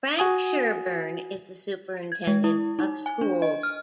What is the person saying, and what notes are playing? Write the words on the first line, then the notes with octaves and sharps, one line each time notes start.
Frank Sherburne is the Superintendent of Schools.
F#4 G#5 D#6
G#6
G#3
E4
D#4
G#5
D4
D#5
F6